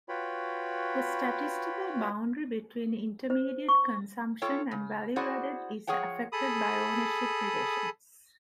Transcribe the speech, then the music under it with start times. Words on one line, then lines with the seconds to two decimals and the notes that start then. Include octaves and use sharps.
The statistical boundary between intermediate consumption and value added is affected by ownership relations.
0.09 F4 F#4 B4 C#5 G5 B5
3.30 C5
3.69 C#6
4.42 F4 A4 C#5 G5
4.71 C#3
5.16 E4 F#4 G#4 C5 D5 F#5
5.87 F3 G#4 C#5 F#5 G5
6.32 G#4 A4 B5 D#6